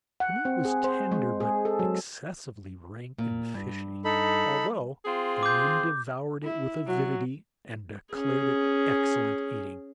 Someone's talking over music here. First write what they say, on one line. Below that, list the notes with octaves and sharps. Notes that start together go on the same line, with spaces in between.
The meat was tender, but excessively rank and fishy, although the men devoured it with avidity, and declared it excellent eating.
F#5
C4
G#4
C5
G#3
G#4
A4
F#3
A#2
G2
D#4 A4 B5
C4 F4 G#4
D6 G6
E4
F#3
C#4 G#4